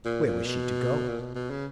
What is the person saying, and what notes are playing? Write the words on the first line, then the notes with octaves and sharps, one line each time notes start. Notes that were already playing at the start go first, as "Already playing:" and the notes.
Where was she to go?
A#2
A#2
B2
A#2
B2
B2
C#3